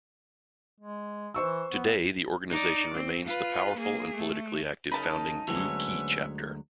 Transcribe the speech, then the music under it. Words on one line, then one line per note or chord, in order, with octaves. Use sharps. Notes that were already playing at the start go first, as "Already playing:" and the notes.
Today, the organization remains the powerful and politically active founding Blue Key chapter.
G#3
E3 C5 C#6 E6
B3
D#4 D5
C4
F4 B4
A#3 G#4
A3
F#2 C#3 D#4 A5 B5
D2 F#3 G#3 B3 C#4 C#5 E5